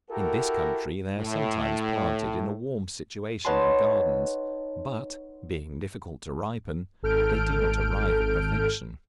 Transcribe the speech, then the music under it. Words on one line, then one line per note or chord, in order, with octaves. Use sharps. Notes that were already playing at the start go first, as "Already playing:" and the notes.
In this country they are sometimes planted in a warm situation in gardens, but, being difficult to ripen, they do not arrive at perfection.
E4 F#4 G4 A4 A#4
A2
D#4 B4 C#5 F#5 A5 C6
G#1 A4 F6 G6 D7